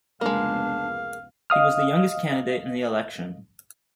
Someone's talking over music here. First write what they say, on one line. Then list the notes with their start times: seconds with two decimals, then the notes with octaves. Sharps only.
He was the youngest candidate in the election.
0.21 F1 C#2 G#3 A#3 B3 D4 F5
1.50 D#5 F5 D#6 F6